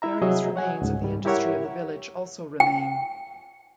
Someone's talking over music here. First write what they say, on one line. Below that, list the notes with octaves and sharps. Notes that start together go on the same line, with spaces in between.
Various remains of the industry of the village also remain.
E4 E5 A#5
C3 F#3 G#4 D#5 E5
C#5 F#5 G#5
C#2 G#2
G#2 G3
E4 G4 A#4 C#5 E5 F#5
G5